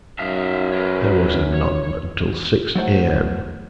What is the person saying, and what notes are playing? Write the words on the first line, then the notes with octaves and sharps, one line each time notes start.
There was none until six A.M.
F#2 D#4 E5 F5
A#4 B4 C#5
C#5
F#3 A3 C5 F#5